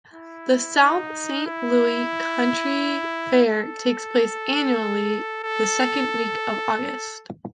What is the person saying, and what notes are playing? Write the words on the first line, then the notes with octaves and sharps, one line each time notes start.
The "South Saint Louis County Fair" takes place annually the second week of August.
E4
D#4
E4
A4
A4